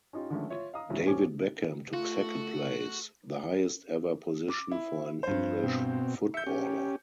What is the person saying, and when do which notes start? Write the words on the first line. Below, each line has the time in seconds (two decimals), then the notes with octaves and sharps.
David Beckham took second place, the highest ever position for an English footballer.
0.13 C#4 D#4 F4 G4
0.30 D3 D#3 F3 G#3 A3 C#4
0.50 F4 C#5 E5
0.73 D#5 F5 A#5 D#6
0.90 C#2 G#2 F#3 C#4 E4
1.05 D#1 A#2 C#4 G#5 D6
1.93 A3 F4 F#4
4.50 D6
4.72 E4
5.23 G2 C5
5.63 B2 C4
6.34 E5 G6 C#7
6.47 C#4 G4